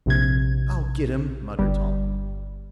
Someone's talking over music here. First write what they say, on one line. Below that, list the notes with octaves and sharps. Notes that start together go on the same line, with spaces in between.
"I'll get him!" muttered Tom.
A#1 C3 G#6
G1 G3